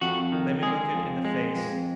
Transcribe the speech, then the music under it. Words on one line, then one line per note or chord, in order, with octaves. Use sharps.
Let me look it in the face!
F2 F#4
D#3
G#3 G#4
F2
G#3
F2